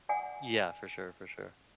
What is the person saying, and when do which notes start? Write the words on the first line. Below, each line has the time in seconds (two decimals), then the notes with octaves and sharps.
Yeah, for sure, for sure.
0.09 D5 F#5 G#5 D#6